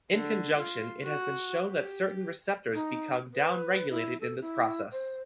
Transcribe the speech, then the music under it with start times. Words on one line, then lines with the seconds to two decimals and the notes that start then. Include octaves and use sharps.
In conjunction, it has been shown that certain receptors become down-regulated in this process.
0.12 D3
0.57 F4
1.03 F#4
1.67 G4
2.73 D#4
3.34 B4
3.90 E4
4.21 A4
4.41 E4
4.92 C5